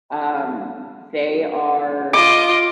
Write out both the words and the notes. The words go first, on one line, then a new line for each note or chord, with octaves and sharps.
um, they are
F4 D#5 D6